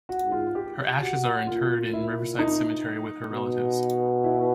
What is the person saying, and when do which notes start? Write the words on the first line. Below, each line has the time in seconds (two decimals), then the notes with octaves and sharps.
Her ashes are interred in Riverside Cemetery with her relatives.
0.09 F#4
0.25 G#2
0.32 F4
0.55 G4
1.01 F#4
1.47 A#2 F4
1.93 E4
2.39 D#4
3.31 B2
4.24 E4